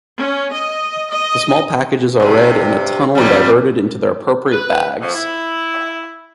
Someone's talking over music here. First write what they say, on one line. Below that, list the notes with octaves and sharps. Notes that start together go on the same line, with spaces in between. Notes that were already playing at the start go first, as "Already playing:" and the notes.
The small packages are read in a tunnel and diverted into their appropriate bags.
C#4
D#5
D#5
G2 C3
F2 G3
B4
F2
E4